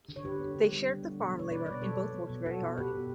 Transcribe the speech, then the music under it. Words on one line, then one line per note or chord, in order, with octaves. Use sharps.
They shared the farm labour and both worked very hard.
D3
C#5
D3 G4 B4
B3
D3
G3
D3
B3
B2
B2 C#5
B3 B4 D5
B2 B4 D5
B2 A4 C#5
F#3
B3
B2
B3 F#4 A4
B2
B3 G4 B4
B2